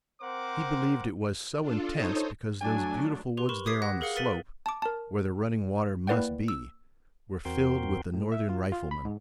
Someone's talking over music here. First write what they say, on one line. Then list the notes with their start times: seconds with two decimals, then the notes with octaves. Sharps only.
He believed it was so intense because those beautiful woods there on the slope, where the running water must be, were filled with the Northern riflemen.
0.21 C4 A#4 C5 F#5 D6
1.61 D4 F4 A4
1.93 D#4 A4 C5 C#5 D#5
2.61 F#3 A3 D4 G#5
3.37 G4 B4 C6
3.49 A#4 B5 C#6 E7
3.66 D6 D#6 G#6 B6 C7
3.82 F#5 F#6 A#6
4.01 G#4 A#4 F5 C#7 G7
4.16 A#4 B4 A6 B6 D#7 F#7
4.66 A5 D6
4.82 A#4 A5
6.07 A#3 E4 B4 D5 F#5 G5
6.48 E6
7.45 E2 C4 F#4 A#4 G5 C6
8.14 A2
8.32 E5
8.49 F4
8.72 F4
8.91 B5
9.05 G#2